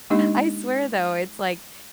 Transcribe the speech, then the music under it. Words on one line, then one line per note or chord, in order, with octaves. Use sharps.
I swear, though, it's, like
G#3 A#3 D4 D#4 G4 D#5